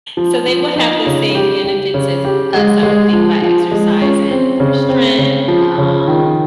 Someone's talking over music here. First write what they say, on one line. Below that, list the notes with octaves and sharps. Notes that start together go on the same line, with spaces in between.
so they will have the same benefits as us, I would think, by exercising, more strength, um
F3
F3
D#4
C#3
G4
G4
C#3
G4
G#3
G#3
F3
F3
G#3
C#4
C4
C#3
C4
C#3
F3
C#3
D#3